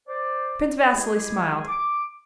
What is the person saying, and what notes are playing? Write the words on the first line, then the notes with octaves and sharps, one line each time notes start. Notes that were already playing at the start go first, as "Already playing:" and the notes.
Prince Vasili smiled.
C5 D5
G#3 E4 G4 G#4
D6